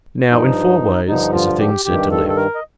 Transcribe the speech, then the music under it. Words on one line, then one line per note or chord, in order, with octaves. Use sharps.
Now, in four ways is a thing said to live.
G2 F3 D#4
G2 D3 F3 D#4
F4
G4
G2 D#3 G4
A4
A4
A#4
D#5